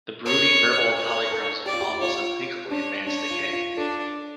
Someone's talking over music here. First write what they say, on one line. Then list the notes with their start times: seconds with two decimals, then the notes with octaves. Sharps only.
The brooding verbal polychromes of an almost unthinkably advanced decay.
0.25 A#4 C#5
0.61 A4
0.96 A#4 C#5
1.31 A4
1.66 G4 D5
1.73 F4
1.81 G4
2.01 F4 C#5
2.71 D4 C#5
3.06 D4 C#5
3.30 F4
3.53 F4
3.77 D4 A4